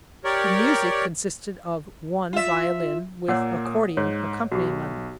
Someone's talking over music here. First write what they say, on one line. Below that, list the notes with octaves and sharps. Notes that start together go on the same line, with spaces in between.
The music consisted of one violin with accordion accompaniment.
G4 A#4 C#5 D5
F4 E5
A#2 A#3 C#5 F#5 E6
D#6
G#2 C#5
B1 F#4 G4